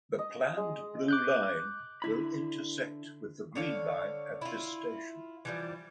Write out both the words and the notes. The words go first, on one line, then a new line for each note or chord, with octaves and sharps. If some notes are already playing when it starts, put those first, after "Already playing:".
The planned Blue Line will intersect with the Green Line at this station.
D#5
G#3
D6 F#6 G6
D3 E4 B5
D3 C#5 F5
E4 F4
E3 F3 G3